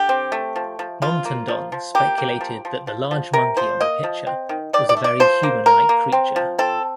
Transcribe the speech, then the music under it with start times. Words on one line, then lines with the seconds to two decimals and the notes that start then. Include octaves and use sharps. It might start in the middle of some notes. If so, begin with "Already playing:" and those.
Montandon speculated that the large monkey on the picture was a very human-like creature.
Already playing: D3 G4
0.09 C4
0.32 A3
0.56 F3
0.79 F3
1.02 F3 F4
1.25 A#3
1.48 F3
1.72 F3
1.95 A#3 G4
2.18 A#3
2.41 F3
2.65 F3
2.87 F3
3.11 F3
3.33 C3 A#4
3.57 F3 C5
3.80 A#3 D#5
4.03 F3
4.27 C4
4.49 D#3
4.73 D#3 D5
4.89 D5
4.97 A3
5.04 D5
5.20 F3 C5
5.43 A#3
5.66 A#3 A#4
5.89 A#3
6.12 C4
6.36 F3
6.58 C4 A4